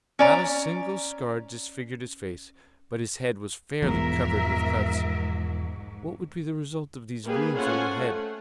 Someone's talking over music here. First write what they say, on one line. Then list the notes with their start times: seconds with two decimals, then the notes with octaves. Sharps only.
Not a single scar disfigured his face; but his head was fairly covered with cuts; what would be the result of these wounds on the head?
0.19 C#4 D5 A#5
3.82 E1 B1 E2 G#2 F3 A#4 E5
7.25 G3 A#3 G#4 B4
7.56 C#4 F4 A4 C5 F#5 G#5
7.99 A3